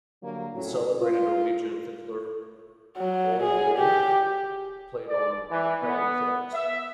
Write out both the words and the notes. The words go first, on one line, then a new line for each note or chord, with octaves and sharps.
The celebrated Norwegian fiddler Ole Bull played on Helland fiddles.
D3 F#3 G3 A#3
F2 A2 F#3 C#4
F4
F#3
G#4
G4
D5
E3
B3
E5